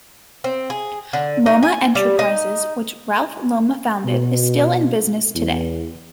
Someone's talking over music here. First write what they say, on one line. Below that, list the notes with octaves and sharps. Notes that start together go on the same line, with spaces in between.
Lomma Enterprises, which Ralph Lomma founded, is still in business today.
C4
G#4
D3
D#4
G#5
G3
D#4
B2
E2